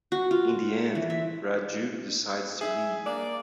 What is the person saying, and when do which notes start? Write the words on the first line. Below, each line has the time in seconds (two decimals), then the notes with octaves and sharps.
In the end, Raju decides to leave.
0.12 F#4
0.31 F4
0.95 E3
1.10 E5
2.61 G#4 E5
3.05 A#3 D5